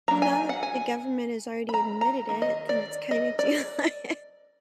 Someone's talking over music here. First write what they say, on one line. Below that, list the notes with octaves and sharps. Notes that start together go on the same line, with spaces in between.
Well, now that the government has already admitted it, then it's kinda do, like
F#3 A#3 D4 A#5
G#5
F#5
G#5
B5
A#5
A#5
D#3 A#3
D#5
D5
D#5
D5